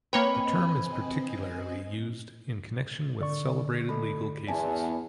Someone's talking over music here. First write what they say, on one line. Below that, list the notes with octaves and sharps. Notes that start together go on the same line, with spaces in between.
The term is particularly used in connection with celebrated legal cases.
A#3 C4 B4 C#5 D#5 G5 G#5
D3 D5 C#6
A3 A4 B5
E2 D5 G#5 A5